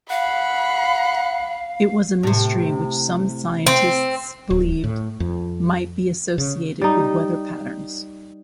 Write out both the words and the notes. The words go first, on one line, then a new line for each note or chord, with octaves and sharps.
It was a mystery which some scientists believed might be associated with weather patterns.
F5 F#5 B5
A2 C3
C4
D1
A2
F2
C#3
G3 D#4